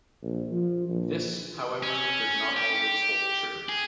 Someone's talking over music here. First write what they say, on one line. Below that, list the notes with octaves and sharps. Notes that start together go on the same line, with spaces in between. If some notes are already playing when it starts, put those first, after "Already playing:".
This, however, does not always hold true.
A#1
F3
A#1
C#4
G4
G#4